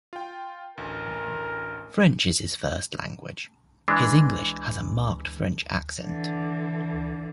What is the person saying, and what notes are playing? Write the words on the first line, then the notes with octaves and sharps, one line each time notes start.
French is his first language; his English has a marked French accent.
F4 G5
A1 D2 A#4
E3 G#3 D4
D3 E3